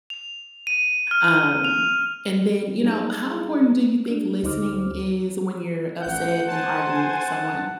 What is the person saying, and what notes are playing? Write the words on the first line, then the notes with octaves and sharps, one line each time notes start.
Um, and then you know, how important do you think listening is when you're upset and arguing with someone?
F7
D#7
F6
F7
F#3 G3 A#3 D#4 G#4
D4
D2 D#4 C5 D6 F6
A1 F#5 G6
C5 G#5 A5